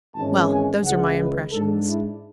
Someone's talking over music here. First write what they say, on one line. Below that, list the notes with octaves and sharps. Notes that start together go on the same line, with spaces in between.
Well, those are my impressions.
G#1 G#2 E3 G#3 C#4 A5
G#5
C#2 C#3 E3 G#3 F#5
B4
G#2 G#3 D4 A4
E4